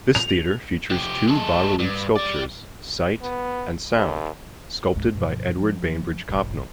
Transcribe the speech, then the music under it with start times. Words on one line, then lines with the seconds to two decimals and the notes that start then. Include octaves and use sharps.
This theatre features two bas-relief sculptures, "Sight" and "Sound", sculpted by Edward Bainbridge Copnall.
0.15 F7
0.90 F2 G4
1.27 G#3 A4
1.80 G2
2.16 G3 D5
3.22 B3
3.95 D#2
4.95 F1 C#2 G#2 G#3
5.15 G2 B2 F3
5.57 F3
6.29 D#1 G#1 G2 A#2